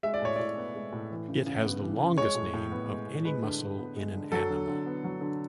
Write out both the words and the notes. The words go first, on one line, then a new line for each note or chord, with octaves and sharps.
It has the longest name of any muscle in an animal.
G#3 E5
D5
A2 C#5
A2 D5
B3
G#3
A2
E3
C#3
C#3
B3
E3
C#3
G#3 C#5
A2
A2
B3
G#3
A2
G#3 B4
D3
D3
B3
G#3
D3
F#3 A4
D3
D3
B3
F#3
D3